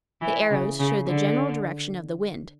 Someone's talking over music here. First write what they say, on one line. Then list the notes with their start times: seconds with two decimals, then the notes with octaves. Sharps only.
The arrows show the general direction of the wind.
0.21 E3
0.51 C#3
0.79 C#3
1.07 D3